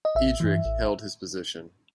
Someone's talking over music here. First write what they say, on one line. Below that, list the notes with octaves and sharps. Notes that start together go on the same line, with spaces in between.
Eadric held his position.
D#5
A1 E5
G2 E3
A1